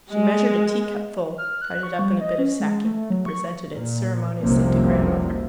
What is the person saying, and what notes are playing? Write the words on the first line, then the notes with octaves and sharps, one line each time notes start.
She measured a teacup full, tied it up in a bit of sacking, and presented it ceremoniously to grandmother.
G#3
F6
F#6
C#6
G3
D#5
C#4
G#3
A3
F#3
C#6
A#2
F1 C2 F#2 C3 F3 A#3